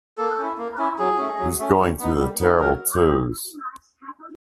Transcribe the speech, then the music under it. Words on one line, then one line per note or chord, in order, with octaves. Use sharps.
He's going through the terrible two's!.
A#3 A4
C#4 E4
A#3
C#4 E4
F#3 G#4
A3 C#4
F#3
A3 C#4
G3
B3 D#4
G3
B3 D#4
F#3 A#4